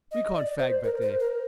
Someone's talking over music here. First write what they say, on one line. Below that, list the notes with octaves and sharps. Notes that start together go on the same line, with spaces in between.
We can't fag back there.'
D#5
D5
C5
A#4
C5
A#4